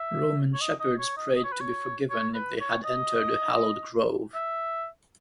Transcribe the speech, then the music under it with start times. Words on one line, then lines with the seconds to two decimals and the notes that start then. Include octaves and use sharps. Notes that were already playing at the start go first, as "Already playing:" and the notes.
Roman shepherds prayed to be forgiven if they had entered a hallowed grove.
Already playing: E5
0.54 C#5
0.61 D#5
0.80 D#5
0.99 C#5
1.17 D#5
1.36 D#5
1.44 C#5
1.52 B4
1.61 C#5
2.10 C#5
2.35 B4
2.60 C#5
2.85 D#5
4.35 E5